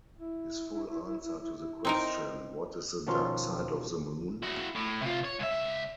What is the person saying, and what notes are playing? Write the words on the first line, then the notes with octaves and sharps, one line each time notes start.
His full answer to the question What is 'the dark side of the moon'?
E4
C4 D#4 A#4
B2 D#3 F3 C#4 D#4 F4
E4 F#4
A2
C3 F4
C#5
C#2 E5